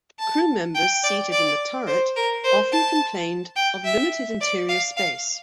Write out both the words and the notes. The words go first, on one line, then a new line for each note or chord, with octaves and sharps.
Crew members seated in the turret often complained of limited interior space.
A5
G5
D5
D5
C5
A#4
C5
A5
G5
E5
D5
F5
F5